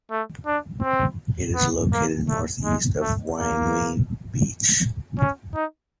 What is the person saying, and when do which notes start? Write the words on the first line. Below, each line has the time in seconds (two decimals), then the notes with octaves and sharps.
It is located north east of Wainui Beach.
0.11 A3
0.46 D4
0.83 C4
1.55 B3
1.92 A#3
2.29 A3
2.64 G#3
3.01 A3
3.37 A#3
5.19 C#4
5.54 D#4